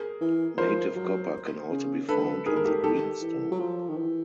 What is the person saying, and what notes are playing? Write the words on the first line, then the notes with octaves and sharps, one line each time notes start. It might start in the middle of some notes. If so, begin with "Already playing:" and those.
Native copper can also be found in the greenstone.
Already playing: G#4 A#4
E3
F3 A#4 C5
F#3
C#3
D3 A4 B4
D#3 G#4 A#4
A#4
G4 A4
D#3 G4 A4
E3
F#3
F3
D#3
E3